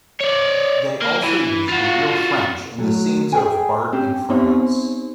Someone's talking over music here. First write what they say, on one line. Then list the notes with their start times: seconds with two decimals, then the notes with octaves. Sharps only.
They also used real French in the scenes of Bart in France.
0.20 C#5 D5
1.02 A#3
1.23 E3
1.69 F4 F#4
2.78 F#3 A3
3.32 G#4 A4 E5 G5 G#5
3.92 C4 C#4 G4
4.30 B3 C4 D#4 G4 C5